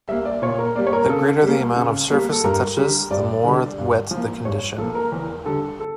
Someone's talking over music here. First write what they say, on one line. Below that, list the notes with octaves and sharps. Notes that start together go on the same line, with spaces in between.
The greater the amount of surface that touches the more wet the condition.
G3 A#3 E5
D5
A#2 C#5
A#4
G3 A#3 D5
C#5
A#4
C#3 A4
G3 A#3
C#3
G3 A#3
A4
G2 A#4
D3 G3
G2 D5
D3 G3
G2
F3
A#3
G2 C#5
F3 A#3 A4
A#4
E2 A#4
D3 G3 A4
A4